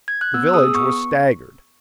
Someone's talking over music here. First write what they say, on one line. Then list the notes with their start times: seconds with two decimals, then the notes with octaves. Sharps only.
The village was staggered.
0.08 G#6
0.21 F#6
0.34 B3 E6
0.49 E6
0.54 G#4 D#6
0.74 B3 C#6